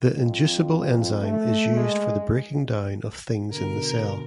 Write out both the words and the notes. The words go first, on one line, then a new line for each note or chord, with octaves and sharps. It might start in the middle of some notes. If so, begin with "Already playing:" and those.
The Inducible enzyme is used for the breaking-down of things in the cell.
F2
A3
G#3
B2 D3 A#4